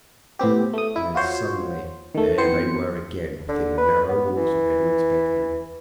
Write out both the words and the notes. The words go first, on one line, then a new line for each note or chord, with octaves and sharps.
And then suddenly there they were again within the narrow walls of Edred's bedroom.
A2 B3 C4 G4
A3 D#6
E4
F4 F#4 C5 C#5
D#3 A3
E3 B3 C4 C5 C#7
D3
B4
B3
E3